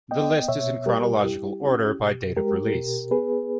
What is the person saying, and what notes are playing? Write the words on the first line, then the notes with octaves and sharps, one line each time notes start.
The list is in chronological order by date of release.
B3 D#5 G5
B2 C#5 E5
G3 G4 A#4
E4 G4
C#4
B2
G#3 G4 A#4
B2
B3 G#4 B4